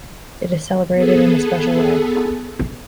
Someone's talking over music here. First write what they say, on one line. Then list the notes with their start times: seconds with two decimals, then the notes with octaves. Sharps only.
It is celebrated in a special way.
0.94 B3 G#4 A4